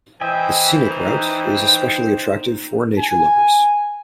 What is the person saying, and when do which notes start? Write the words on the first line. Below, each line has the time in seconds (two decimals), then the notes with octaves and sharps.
The scenic route is especially attractive for nature lovers.
0.21 E3 C5 D#5 E5 G5 G#5
0.91 D#4 G5
2.98 G#5